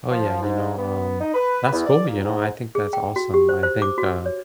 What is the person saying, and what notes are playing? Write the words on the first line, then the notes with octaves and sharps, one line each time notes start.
Oh, yeah, you know, um, that's cool, you know, I think that's awesome, I think, uh,
F3
G#2
B3
D#4
B4
E2
D5
A#2
G#2
G#4
G5
F#4
G4
C5
C5
D6
F#4
C#5